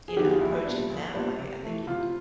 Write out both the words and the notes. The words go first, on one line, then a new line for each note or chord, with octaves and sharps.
you know, approach it in that way, I think it
G#4
D#3 F#3 B3 D#4 G4
F#4
F4
A#1 E4
A#2 G3 B3 D4
A#1
A#2 G3 B3 D4
C3
E3 A3
C3 F4